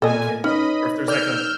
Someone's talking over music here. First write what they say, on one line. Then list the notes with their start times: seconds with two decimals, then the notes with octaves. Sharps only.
you can, or if there's like a
0.02 A#2 A4 D#5 G#5
0.44 C#4 D#4 B4 C#5 D#5 B5
1.08 D5 E6 F6 G6